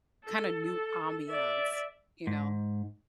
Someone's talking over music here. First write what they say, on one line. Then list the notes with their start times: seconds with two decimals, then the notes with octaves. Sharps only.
kind of new ambiance, you know.
0.24 A4
0.66 A4
1.30 D5 E5
2.27 G#2